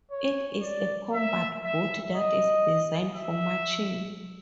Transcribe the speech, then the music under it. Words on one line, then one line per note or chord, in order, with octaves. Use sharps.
It is a combat boot that is designed for marching.
C#5
D5
E5
E5
D#5
E5